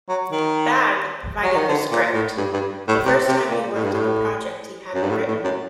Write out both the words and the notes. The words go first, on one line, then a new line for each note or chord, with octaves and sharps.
Bagge provided the script-the first time he worked on a project he hadn't written.
F#3
D#3
F#3
D#3
D3
A#2
A2
G2
G2
A2
C3
C3
A#2
A2
G2
A2
F#2
G2
A2
A2
F#2